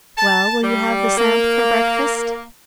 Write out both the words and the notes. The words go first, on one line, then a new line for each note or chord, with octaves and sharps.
"Well, will you have the samp for breakfast?"
A5
G3
A#3